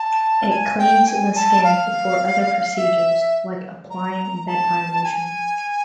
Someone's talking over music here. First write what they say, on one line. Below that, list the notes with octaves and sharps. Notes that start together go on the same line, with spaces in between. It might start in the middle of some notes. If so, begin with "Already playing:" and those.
It cleans the skin before other procedures, like applying bedtime lotion.
Already playing: A5
G#5
G5
G#5
A5
F5
F5
E5
A#5
A5
G#5